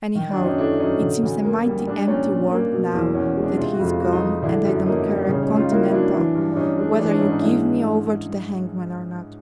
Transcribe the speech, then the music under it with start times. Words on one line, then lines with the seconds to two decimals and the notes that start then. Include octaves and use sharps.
Anyhow, it seems a mighty empty world now that he is gone, and I don't care a continental whether you give me over to the hangman or not.'
0.15 D#3
0.30 D4
0.37 F#2
0.44 C#4 D#4
0.58 A3 D4 E4
0.80 F#3 C#4 D#4
1.02 D3
1.23 D2
1.44 A#3
1.66 G3
1.87 G3 D4
2.08 A#2 C#4
2.29 A#2
2.51 A#3
2.72 B2
2.93 E2
3.15 E2 C#4
3.36 G#3
3.44 D4
3.57 C3 F4
3.72 F#4
3.79 F2
3.85 F4
3.99 G#3 F#4
4.12 D#4 F4
4.21 F3
4.42 D3 D4 E4
4.65 F#2
4.86 A#3 C#4 D#4
5.07 G3
5.29 C#3 C#4 D#4
5.43 C#4 D#4
5.50 C#2
5.57 D#4 F4
5.71 A#3 E4 F#4
5.92 F#3 D4 E4
6.13 E3 D4 E4
6.35 G2
6.52 D4
6.56 G2 C#4 D#4
6.78 G#3 D4
6.99 E3 D4
7.09 D4
7.14 C#4 D#4
7.21 G#2
7.28 C#4 D#4
7.42 G#2 D4 E4